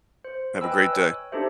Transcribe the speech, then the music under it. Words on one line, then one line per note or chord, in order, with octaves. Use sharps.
Have a great day.
C5
B4 D#5 G5 G#5 B5 E6
C#5
D4 D#4 G4 A4 C5 E5